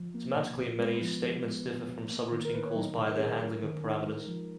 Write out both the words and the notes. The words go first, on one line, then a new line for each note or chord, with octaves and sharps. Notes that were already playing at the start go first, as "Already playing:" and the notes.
Semantically many statements differ from subroutine calls by their handling of parameters.
Already playing: F3
A#3
B2
B2
G#3 B3 B4
F3
F3
G#3
B2
B2
A#3
D#3
A#4
D#3 B4
C#5
F#3 D#4 D#5
B2
A#4
C#4 G#4
A#4
F#3
D#3
D#4
G#3
F3